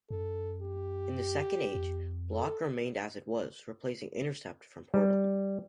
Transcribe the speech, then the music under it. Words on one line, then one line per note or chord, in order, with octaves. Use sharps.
In "Second Age", "block" remained as it was, replacing "intercept" from Portal.
F#2 A4
G4
F2
A4
G3